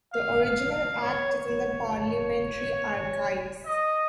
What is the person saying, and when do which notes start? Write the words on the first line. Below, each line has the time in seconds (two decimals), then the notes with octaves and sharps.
The original act is in the Parliamentary Archives.
0.13 F5
0.42 F5
0.72 F5
1.02 C#5
1.32 C#5
3.66 D#5